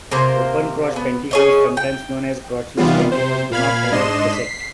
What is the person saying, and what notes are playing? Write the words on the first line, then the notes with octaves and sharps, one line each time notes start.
Open-crotch pantyhose, sometimes known as crotchless pantyhose, do not have a gusset.
C3 A#3 A#4 C5
B3
G#4 C#5 D#5
G5
C3 D#3 E3 G3 B3 F4
C3 C5
A#2 F5 B5 F6 G#6
G#2 D4 D#5 C6 E7
B6 C7